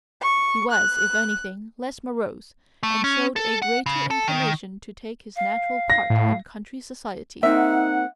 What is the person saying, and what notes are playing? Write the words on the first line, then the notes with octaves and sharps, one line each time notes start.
He was, if anything, less morose, and showed a greater inclination to take his natural part in country society.
C#6
F#6
A3
C#4
A4
F#5
C#3
A4
D#3
F5
A#6
A2
A#3 C4 D#4 E5 F#5